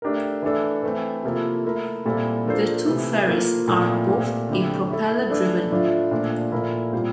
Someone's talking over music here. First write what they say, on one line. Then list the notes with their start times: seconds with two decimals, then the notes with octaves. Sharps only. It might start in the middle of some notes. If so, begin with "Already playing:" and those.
The two ferries are both a propeller driven.
0.02 A3 D4 G4 A#4
0.42 E3 A3 D4 A4
0.83 E3 A3 C4
1.23 C3 F3 A#3 E4 A4
1.64 A3 E4 A#4
2.06 A#2 G3 C4 E4 A4
2.45 F3 A#3 D4 A4 C5
2.86 C3 E3 A3
3.27 F3 A#3 F4 A4
3.67 A#2 F3 A3 C4 E4
4.08 A#2 A3 C4 G4
4.49 D3 A3 C4 E4 G4
4.90 A3 E4 A4
5.30 E3 A3 D4 A4
5.71 A2 F3 A3 D4 F4
6.11 A#2 F3 A3 D4
6.52 A#2 F3 A3 E4 A#4
6.93 A#2 G3 C4 F4 C5